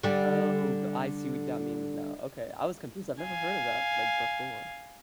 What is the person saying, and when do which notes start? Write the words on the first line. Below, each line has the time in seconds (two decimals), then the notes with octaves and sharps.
Oh, go I see what that means now, okay, I was confused, I've never heard of that, like, before.
0.03 D3 G3
3.22 F5 G#5